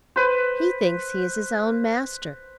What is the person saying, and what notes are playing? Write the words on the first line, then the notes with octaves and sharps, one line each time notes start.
He thinks he is his own master.'
B4 C5